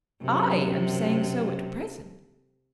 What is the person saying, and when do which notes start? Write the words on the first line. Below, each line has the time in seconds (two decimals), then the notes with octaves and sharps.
"I am saying so at present."
0.23 F#2 C3